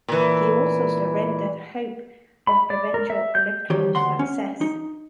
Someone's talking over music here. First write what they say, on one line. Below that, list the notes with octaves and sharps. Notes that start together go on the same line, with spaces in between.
He also surrendered hope of eventual electoral success.
A#2 E3
B5
D5
A#4
E5
G6
D#3 G3 G4 C#5
D2 F#5 C6
C#4
D#4